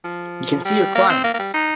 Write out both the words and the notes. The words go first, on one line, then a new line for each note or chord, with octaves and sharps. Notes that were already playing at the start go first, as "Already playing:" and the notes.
You can see your clients.
F3
G3
A#3
C4
A#3
A#3
G3
D#4